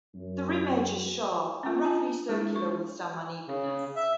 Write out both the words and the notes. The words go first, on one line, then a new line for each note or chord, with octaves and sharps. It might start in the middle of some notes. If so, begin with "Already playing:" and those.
The rim edge is sharp and roughly circular, with some unevenness.
F#2
C#4 F4
D4 F4 G#5 A5
G#3 D4 E4 G#4
C#6
C#3
E5